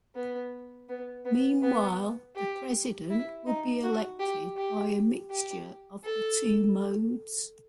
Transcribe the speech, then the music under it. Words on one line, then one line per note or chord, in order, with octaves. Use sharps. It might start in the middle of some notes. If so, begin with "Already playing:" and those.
Meanwhile, the president would be elected by a mixture of the two modes.
B3
B3
B3
B3
G4
E4
D#4
F#4
G4
G4
G4
A4